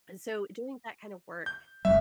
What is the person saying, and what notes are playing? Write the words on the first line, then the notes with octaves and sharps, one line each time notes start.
so, doing that kinda work
G6
F1 G3 E5